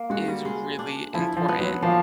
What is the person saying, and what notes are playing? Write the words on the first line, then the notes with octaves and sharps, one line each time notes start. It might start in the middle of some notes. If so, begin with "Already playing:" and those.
is really important.
Already playing: A#3
G#3 F#4
G3
G#3
D4
F3 E4
F3
B3
F#3
F3 A#3